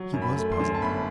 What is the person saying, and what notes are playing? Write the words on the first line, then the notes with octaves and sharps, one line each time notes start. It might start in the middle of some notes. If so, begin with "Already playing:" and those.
He was puzzled.
Already playing: F#3
F#2
B5
A3
C6
F#2
A5
G1 B5